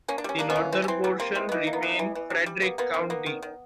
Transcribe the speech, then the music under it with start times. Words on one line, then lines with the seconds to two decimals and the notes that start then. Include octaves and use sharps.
The northern portion remained Frederick County.
0.08 A#3 C#4
0.18 D4
0.24 G3 C#4
0.39 A#3 D4
0.50 B3 C#4
0.56 E3
0.72 E3 C4
0.84 C#4
0.88 E3 C4
1.04 G3 B3
1.20 A#3 C4
1.35 E3 C4
1.49 E3 B3
1.67 A#3
1.73 B3
1.83 E3
1.99 E3
2.15 E3
2.30 G3
2.46 G3
2.62 A#3 B3
2.78 A#3 B3
2.94 D#3 C4
3.10 A#3 B3
3.26 D#3
3.42 D#3